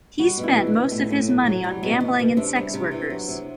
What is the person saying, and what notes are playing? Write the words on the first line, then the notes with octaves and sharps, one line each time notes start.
He spent most of his money on gambling and sex workers.
G3 F#4
B2
E4
B2
D4
B2
A2 C4
A2
F#3
F#3
G3
B2
B2
B2
C3 D4
G3
C3
E3
F#3
C3